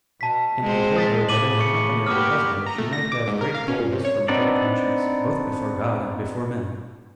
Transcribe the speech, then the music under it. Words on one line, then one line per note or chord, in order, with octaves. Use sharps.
And he told her, that in the company of her husband she might have great boldness from a good conscience, both before God and before men.
B2 A5 B6
G#3 C4 C5
D#6 A6 B6
A2 C#3 D6 D#7 F#7
C#6 C#7
A#3 B3 G4 D6 D#6 F6
A#5
A3
A#6
D6
G#2
A#4
F5
C#4
A#2
C3
C#5
B3 C4 D4 D#4 D5